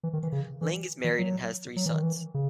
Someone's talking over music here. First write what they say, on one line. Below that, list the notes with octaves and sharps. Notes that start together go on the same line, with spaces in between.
Ling is married and has three sons.
E3
D#3
E3
C#3
E3
E3
F#3
F#3
E3
D#3
E3
C#3